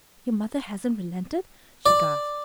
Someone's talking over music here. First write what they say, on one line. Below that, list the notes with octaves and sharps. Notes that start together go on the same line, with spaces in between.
"Your mother hasn't relented?" she gasped.
D5